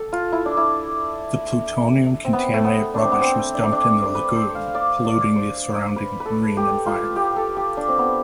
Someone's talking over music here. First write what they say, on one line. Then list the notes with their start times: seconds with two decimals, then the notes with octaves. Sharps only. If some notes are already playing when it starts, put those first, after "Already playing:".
The plutonium-contaminated rubbish was dumped in the lagoon, polluting the surrounding marine environment.
Already playing: A4
0.13 F4
0.32 E4
0.46 D4
0.57 E4
2.25 C4
2.33 B3
2.54 A3
2.64 B3
2.94 D4
3.03 C4
3.12 B3
3.21 C4
3.54 D4
3.63 C4
3.72 D4
4.15 B4
4.35 C5
4.55 F5
4.75 D5
5.05 D5
5.36 C5
5.96 B4
6.20 B4
6.26 A4
6.57 G4
6.86 F4
7.16 G4
7.36 A4
7.57 G4
7.77 D4
7.89 C4
7.98 B3